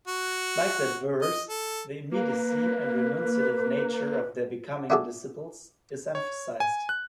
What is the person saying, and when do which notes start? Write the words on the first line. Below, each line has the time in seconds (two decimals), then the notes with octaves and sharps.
Like that verse the immediacy and renunciative nature of their becoming disciples is emphasized.
0.07 F#4
1.22 D#5
1.49 A4
2.11 A#3 B4
4.90 D4 E4 F#4 G#4 A4 D5
6.15 C#5
6.60 G#5
6.89 F#6